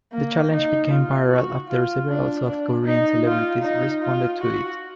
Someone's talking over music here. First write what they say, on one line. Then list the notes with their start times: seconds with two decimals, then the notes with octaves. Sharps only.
The challenge became viral after several South Korean celebrities responded to it.
0.13 A#3
0.51 D#4
0.90 F4
1.29 F#4
1.68 F4
2.08 D4
2.46 D4
2.85 D#4
3.25 F4
3.64 D#4
4.03 F4
4.41 F#4